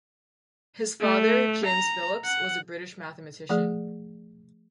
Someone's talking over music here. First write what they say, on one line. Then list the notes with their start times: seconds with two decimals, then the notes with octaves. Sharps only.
His father, James Phillips, was a British mathematician.
1.00 A3
1.65 A#5
2.25 F#5
3.50 F3 A3 G#4 D5